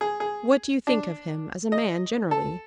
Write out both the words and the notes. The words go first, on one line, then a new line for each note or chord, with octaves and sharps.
What do you think of him as a man generally?
G#4
G#4
D4
D#5
A4